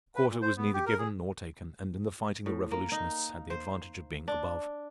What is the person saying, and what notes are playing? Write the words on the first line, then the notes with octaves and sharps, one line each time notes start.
Quarter was neither given nor taken, and in the fighting the revolutionists had the advantage of being above.
B4
A#2
C5
B3
G4
A#4
G#4
A2
A#3
D#4
C5
D4